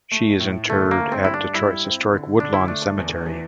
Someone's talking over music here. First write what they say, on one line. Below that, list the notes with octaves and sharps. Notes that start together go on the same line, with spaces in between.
She is interred at Detroit's historic Woodlawn Cemetery.
A3
A2
D3 A3
A#3
A3
C4
G2 E4
D4
G3 E4
C4
D3
D3 D4
E4
A3 D4
E2
E3